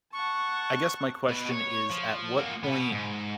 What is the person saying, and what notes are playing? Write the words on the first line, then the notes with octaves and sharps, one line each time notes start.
I guess my question is, at what point
F#5 A5 C#6
B2 B4
C#5
F3
A#3 F#4
B2 B3
G#2